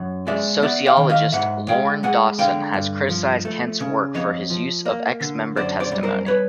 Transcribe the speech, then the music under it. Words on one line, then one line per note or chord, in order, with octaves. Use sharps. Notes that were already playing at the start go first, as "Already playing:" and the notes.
Sociologist Lorne Dawson has criticized Kent's work for his use of ex-member testimony.
Already playing: F#2
G#3 D5 E5
B3 D5 E5
F5 G5
D#3
D#5 F5
G#2 E5 F#5
G#3 F5 G5
G#3 F#5 G#5
D3 F5 G5
G2
F3
A3
C#3
F2 C#5 D#5
F3
A#3
D3
F#2 C5 D5
C5 D5
G3
A#4 C5
B4 C#5